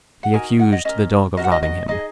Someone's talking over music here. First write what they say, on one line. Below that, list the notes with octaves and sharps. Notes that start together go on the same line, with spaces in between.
He accused the dog of robbing him.
F#5
D#4 F#4 A#4 G#5
F#5
D#5
C#4 A#4 D#5
C#4 F#4 A#4 D#5
F#5
D#5
D#5
D#4 G#4 D#5